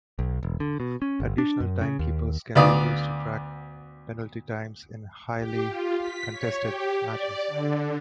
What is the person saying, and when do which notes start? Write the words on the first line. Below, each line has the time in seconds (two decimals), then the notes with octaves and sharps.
Additional timekeepers can be used to track penalty times in highly contested matches.
0.19 B1
0.43 E1
0.60 D3
0.80 B2
1.02 C#4
1.20 G1
1.38 D4
1.60 F#2
1.81 C#3
1.99 D#2
2.55 D2 B3 D5 F5 D#6
5.39 G4
5.69 F4
5.98 B6
6.32 C#5
6.61 G4
7.09 D5
7.48 D3